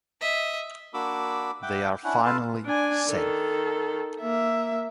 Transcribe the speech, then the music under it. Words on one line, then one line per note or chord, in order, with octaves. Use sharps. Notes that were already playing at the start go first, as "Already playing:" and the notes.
They are finally "safe".
D#5 E5
A#3 D4 F#4 B5 D6 E6
E5 F#5 G5 D6
C#4 D4 E4 F#5
F4 A4 B4 F5 A5
D4 G#5
D#3 A4
A#3 E5